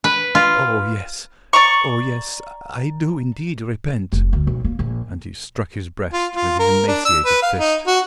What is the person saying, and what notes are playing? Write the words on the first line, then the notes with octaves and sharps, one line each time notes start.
"Oh, yes; oh, yes, I do indeed repent." And he struck his breast with his emaciated fist.
B4
F4
D5 A#5 C#6
F1
D2
B1
A#3
A#1
F4
F4
A#4
D4
E6
B4
F5
D#4
F#4